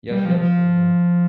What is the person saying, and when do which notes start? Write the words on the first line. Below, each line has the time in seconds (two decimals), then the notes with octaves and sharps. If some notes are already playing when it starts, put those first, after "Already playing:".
Yep, yep. Have a good one.
0.11 G3
0.25 F3
0.38 F3